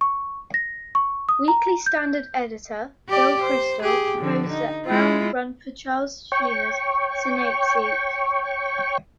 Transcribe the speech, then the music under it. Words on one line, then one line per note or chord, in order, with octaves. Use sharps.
Weekly Standard editor Bill Kristol proposed that Brown run for Charles Schumer's Senate seat.
C#6
A#6
C#6
D#6
A#5
G6
G4 D5
C5
G4 G#4
D3 F3
D#4
G#3 E4 F4
C#5 G5 C#6